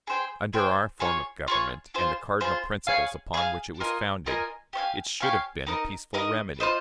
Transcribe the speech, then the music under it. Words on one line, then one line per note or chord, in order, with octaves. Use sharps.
Under our form of government, and the cardinal principles upon which it was founded, it should have been a peaceful remedy.
G#4 C5 G5
G#4 C5 G5
F4 G#4 C#5
F4 G#4 C#5
F4 G#4 C5
F4 G#4 C5
G#4 C#5 F5 G#5
G#4 C#5 F5 G#5
F4 A#4 D#5 G#5
F4 A#4 D#5 G#5
G4 C#5 F5 G#5
G4 C#5 F5 G#5
D#4 A#4 D#5
D#4 A#4 D#5
F4 C5 D#5